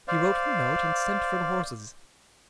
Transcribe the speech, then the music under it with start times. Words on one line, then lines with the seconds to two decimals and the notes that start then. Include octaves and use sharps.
He wrote the note, and sent for the horses.
0.08 C5 D5 F5